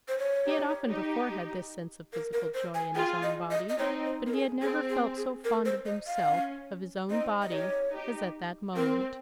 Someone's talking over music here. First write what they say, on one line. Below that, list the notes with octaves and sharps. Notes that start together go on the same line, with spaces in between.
He had often before had this sense of physical joy in his own body, but he had never felt so fond of himself, of his own body, as at that moment.
C5
C#5
D#4 G4
D#4 G4
A#4
A#4
C5
G#5
F4 G#4 G5
D#5
D#5
D#5
C4 D#4 C#5
C5
A#4
G#4
C4 G#4
G#4
G#4
A#4
C5
D#5
F5
C#4
C4 D#4 D#5
D#5
D#4 G4 C#5
D#4 G4
C4 A#4